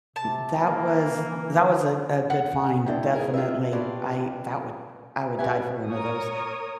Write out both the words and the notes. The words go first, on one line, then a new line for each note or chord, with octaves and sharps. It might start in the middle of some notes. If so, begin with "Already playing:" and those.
M that was that was a a good find, definitely. I that wa u I would die for one of those.
C3 A5
E3 A#3
F#5
G#3 D4 E4 G5
B3 D#4 G#4 A#4
F4 G#4 D#5 E5
C#4 D4 F4 G4 A#4 B4
C4 F#4 G4 B4 E5 G#5
A#4 C#5 D#6